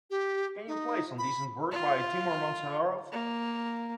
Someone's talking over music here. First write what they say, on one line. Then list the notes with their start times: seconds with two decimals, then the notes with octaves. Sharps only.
Can you play some decent work by Timour Moutsouraev?
0.10 G4
0.67 D#4
1.18 B5
1.71 F4
3.12 A#3